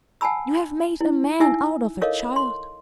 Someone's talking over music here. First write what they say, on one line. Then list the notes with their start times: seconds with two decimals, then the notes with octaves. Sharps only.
You have made a man out of a child.
0.21 F#5 G#5 A5 B5 E6
1.01 E4
1.40 D#4 E4 E5 F#5 G#5 E6
2.01 A4 A#4 C#5 D#5 F5
2.36 C6